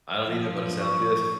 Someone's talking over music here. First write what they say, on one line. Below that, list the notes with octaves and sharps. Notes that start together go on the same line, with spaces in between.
I don't either, but it sounds good.
F3
C#6